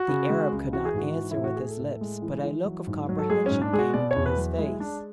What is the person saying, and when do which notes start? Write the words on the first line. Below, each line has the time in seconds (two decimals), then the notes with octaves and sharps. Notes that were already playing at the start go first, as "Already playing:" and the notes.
The Arab could not answer with his lips, but a look of comprehension came into his face.
Already playing: F#4
0.08 C#3
0.29 G#3
0.52 C#2
0.73 E3 F#4
0.85 G#4
0.94 G#2 F#4
1.16 E3
1.31 E4
1.36 A2
1.44 F#4
1.56 A2 G#4
1.69 A4
1.79 A2
2.01 G#3
2.22 E3
2.44 E3
2.65 F#3
2.87 G#2
3.09 F#3
3.19 A4
3.30 G#3 G#4
3.46 G#2 C#4
3.62 D4
3.73 G#3 G#4
3.79 F#4
3.93 B2 D5
4.11 C#5
4.16 E2
4.26 B4
4.37 F#3
4.58 G#3 E4
4.79 G#3 D4